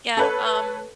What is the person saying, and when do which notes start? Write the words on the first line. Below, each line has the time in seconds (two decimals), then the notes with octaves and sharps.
Yeah, um
0.17 A4 B4 C#5